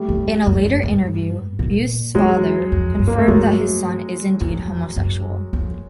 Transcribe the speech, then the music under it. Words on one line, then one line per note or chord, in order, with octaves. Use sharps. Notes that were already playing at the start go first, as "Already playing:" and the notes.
In a later interview, Beust's father confirmed that his son is indeed homosexual.
Already playing: G3 A3
E2
F2
F#2
G2
A#2
E2 F#3 G#3
F2
G2
A#3
A3
G2 F#3 G#3
F2
F#2
F2